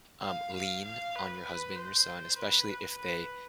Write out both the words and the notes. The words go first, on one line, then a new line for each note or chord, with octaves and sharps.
um, lean on your husband and your son, especially if they,
F5
F5
F5
B4
B4
C5
B4
B4
B4